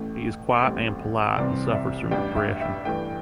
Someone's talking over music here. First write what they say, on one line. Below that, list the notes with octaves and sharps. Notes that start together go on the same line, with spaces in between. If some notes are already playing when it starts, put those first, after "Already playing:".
He is quiet and polite and suffers from depression.
Already playing: A1 A2 A3 A4
A1 A2 G3 C4
C2 C3 E3 G3 C4 D5
D5
E5
A1 G2 G3 D4 G5
E5
E5
G2 E3 A3 G5